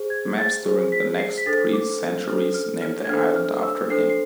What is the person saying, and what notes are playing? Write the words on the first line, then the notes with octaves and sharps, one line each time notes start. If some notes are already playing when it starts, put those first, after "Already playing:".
Maps during the next three centuries named the island after him.
Already playing: G#4 C5
G#6
A6
G#4 C5
B6
C7
B6
D4 A4 C5 A6
D6
D4 A4 C5 F6
F6
F6
G#6
D4 A4 C5 F6
F6
E6
D4 A4 C5 C7
C7